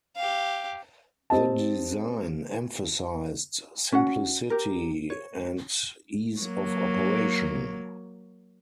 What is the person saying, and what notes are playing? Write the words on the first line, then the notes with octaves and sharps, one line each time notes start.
The design emphasized simplicity and ease of operation.
G4 F5
C4 G4 D#5 A5
C#4 F#4 F#5
G4 A#4
C#5
F#3 A#3